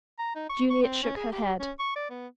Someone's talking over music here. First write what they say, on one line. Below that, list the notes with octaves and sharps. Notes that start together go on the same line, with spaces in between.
Juliet shook her head.
A#5
D#4
C#6
C#6
C4
C#4
G#4
G4
C#4
C#6
D5
B3